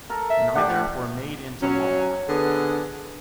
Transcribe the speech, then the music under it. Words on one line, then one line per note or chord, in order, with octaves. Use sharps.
Neither were made into law.
A4 A#4
E5
A2 D4 G4 F#5
F#3 C#4
D3 B3 G#4